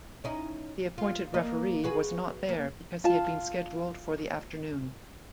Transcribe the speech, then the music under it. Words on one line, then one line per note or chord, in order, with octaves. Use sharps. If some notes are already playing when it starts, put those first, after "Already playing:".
The appointed referee was not there because he been scheduled for the afternoon.
C#4 D#4 E4
F4
A#3 D#5
F#4 G#4 B4
A#3
F4 A5